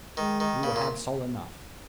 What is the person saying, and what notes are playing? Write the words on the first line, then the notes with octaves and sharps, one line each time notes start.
"We will have salt enough."
D#3 G#3
D#3
C#3 A#3
A#2